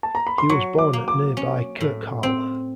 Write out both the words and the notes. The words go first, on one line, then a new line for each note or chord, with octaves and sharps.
He was born at nearby Kirkharle.
A5
A#5
B5
C6
F#3 C#6
D6
A#3
D6
C#4
A2
C4